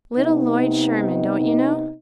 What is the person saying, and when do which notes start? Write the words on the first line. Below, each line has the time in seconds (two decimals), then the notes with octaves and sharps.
Little Lloyd Sherman,--don't you know?
0.16 C3 B3 D#4